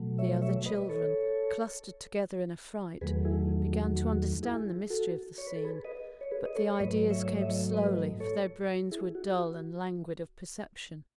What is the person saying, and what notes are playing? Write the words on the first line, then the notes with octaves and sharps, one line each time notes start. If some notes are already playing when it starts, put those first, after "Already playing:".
The other children, clustered together in affright, began to understand the mystery of the scene; but the ideas came slowly, for their brains were dull and languid of perception.
Already playing: B2 F#3 A3
C#5 E5
C#5 E5
B4 D#5
A4 C#5
E2 D#3 F#3 A3 G#4 B4
E4 G#4
F#4
F#4
E4 G#4
F#4 A4
C#5
B4
A4
G#4 B4
B4 D#5
C#5
G#4 B4
D#5
A4 C#5
C#5
G#2 F#3 A3 B4 D#5
C#5 E5
C#5
D#5
C#5 E5
B4 D#5
A4 C#5
E4 G#4
F#4
F#4